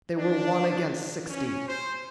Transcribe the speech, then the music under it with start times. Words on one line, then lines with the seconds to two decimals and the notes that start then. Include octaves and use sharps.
They were one against sixty.
0.18 D4
1.29 C#4
1.67 C5